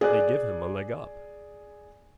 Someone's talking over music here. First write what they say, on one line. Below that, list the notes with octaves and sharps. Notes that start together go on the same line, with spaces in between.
They give him a leg up.
G#4 D5 F#6